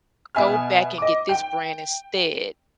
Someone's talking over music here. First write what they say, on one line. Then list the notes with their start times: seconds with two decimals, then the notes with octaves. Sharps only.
go back and get this brand instead.
0.35 B2 E5 G#5 B5 F6
0.98 D#5 D6
1.29 G5